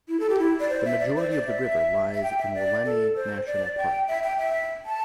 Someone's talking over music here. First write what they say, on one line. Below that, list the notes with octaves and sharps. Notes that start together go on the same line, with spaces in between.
The majority of the river lies in Wollemi National Park.
E4
A4
G4
E4
D5
C5
E5
D5
C5
D5
E5
E5
G5
E5
D5
A4
C5
D5
G5
E5
G5
E5
A5